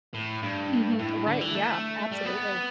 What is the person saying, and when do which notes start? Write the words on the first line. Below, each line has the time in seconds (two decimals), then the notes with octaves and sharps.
Mhm, uh, right, yeah, absolutely.
0.14 A2
0.42 G2
0.99 A2
1.26 D3
1.41 E3
1.55 A3
2.12 G3
2.26 B3